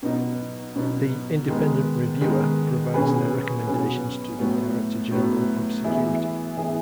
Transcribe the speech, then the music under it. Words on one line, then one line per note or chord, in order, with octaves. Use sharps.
The Independent Reviewer provides their recommendations to the Director-General of Security.
B2 F#3 B3 D#4
B2 F#3 B3 D#4
D#3 G#3 B3
D#3 G#3 B3
B2 F#3 C#4 G#4 B4
B2 F#3 C#4 G#4 B4
A2 F#3 B3
A2 F#3 B3
E3 B3 E4 G#4
E3 B3 E4 G#4